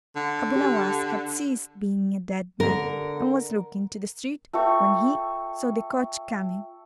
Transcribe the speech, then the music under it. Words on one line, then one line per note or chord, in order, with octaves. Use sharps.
Abu Nowas had ceased being a dead man, and was looking into the street when he saw the coach coming.
D3
G4
D3 A#4
F4 A4 E5 G5 C#6